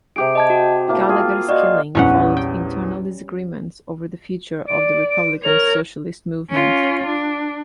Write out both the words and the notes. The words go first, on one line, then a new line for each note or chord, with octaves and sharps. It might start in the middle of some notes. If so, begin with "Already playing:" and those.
Gallagher's killing followed internal disagreements over the future of the republican socialist movement.
C3 G4 G#4 D7
D#5 A5 G#6
F#4
A2 A#3 A5
F4 G#4
F4 F#4 D5 D#5
A#1 E2 G3 C#4 F#5
G5
D5 D7
D7
A#4 C#5 F7
C#4 F4
D4